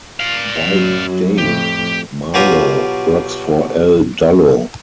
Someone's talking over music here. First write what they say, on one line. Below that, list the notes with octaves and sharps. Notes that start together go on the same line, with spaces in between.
By day Marlo works for L. Dullo.
D5 F5
F#2 F#3
F2 A2 G4
B2 F#3 F4 G4 G#5 A#5